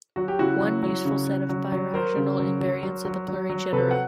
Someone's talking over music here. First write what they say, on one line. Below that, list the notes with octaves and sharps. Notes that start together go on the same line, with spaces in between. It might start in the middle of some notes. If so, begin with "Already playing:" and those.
One useful set of birational invariants are the plurigenera.
F#3 F#4
G4
C#3 E4 F#4
F#3
F#3
C#3
C#3
F#3
F#3
F#3 A#4 C5
C#3
F#3
F#3
F#3
F#3
F#3
F#3
C3 A4 B4
F#5